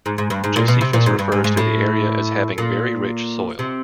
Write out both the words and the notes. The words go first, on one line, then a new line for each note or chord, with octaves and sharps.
Josephus refers to the area as having very rich soil.
G#2
G#2
G2
G#2
A#2
B2
C3
A#2
G#2
G2
G#2
G#2
A2
A#2
C3